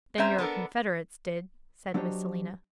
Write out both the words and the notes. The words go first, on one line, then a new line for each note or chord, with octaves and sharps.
'Then your confederates did,' said Miss Selina.
C4 C#4 C5 E5 A#5
B3 D4 A4 A#4
F#3 D4 G4 C5 C#5 D#5